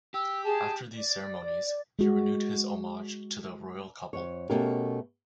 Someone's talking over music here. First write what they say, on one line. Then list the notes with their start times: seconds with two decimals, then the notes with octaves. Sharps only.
After these ceremonies, he renewed his homage to the royal couple.
0.14 G4 E6
0.44 G#4 A5
0.94 D5
1.99 G#3 F#4
4.13 F2 C#5
4.50 B2 A3 C#4 G4 A#4